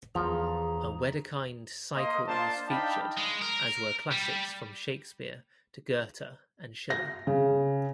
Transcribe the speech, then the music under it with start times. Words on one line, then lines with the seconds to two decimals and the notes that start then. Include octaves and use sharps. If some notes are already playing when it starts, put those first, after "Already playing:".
A Wedekind cycle was featured as were classics from Shakespeare to Goethe and Schiller.
0.15 E2 F3 G#4 A#5
1.94 A#3 D#5 C6
2.27 A#3 D4 F4 C5 A5
2.68 D4 D#4 F5 G5 A5 B5
3.17 G#3
3.42 A#4
4.12 G3
6.90 A#6
7.27 C#3